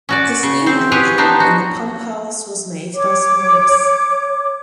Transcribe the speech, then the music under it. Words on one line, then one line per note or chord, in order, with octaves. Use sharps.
The steam engine in the pumphouse was made by Smulders.
C#4 F#4 D5
C#3
C4 C5
G4 G#4 B4 C#5 F#5 G#5
B3 D4 D#4 C5
F#4
C#5 D6